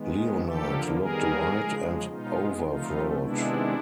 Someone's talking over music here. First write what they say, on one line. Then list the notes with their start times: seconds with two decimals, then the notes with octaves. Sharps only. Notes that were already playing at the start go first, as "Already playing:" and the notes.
Leonard looked white and overwrought.
Already playing: D#3 G#3 B3
0.42 D3 F3 A#3 G4 A4
0.97 D#3 G3 B3 G#4 A#4
1.52 C#3 F3 G#3
2.07 B2 G#3 B3 D#4 F4
2.63 C3 F3 A3 D#4 F4
3.18 C3 D#3 G#3 B3 D4 E4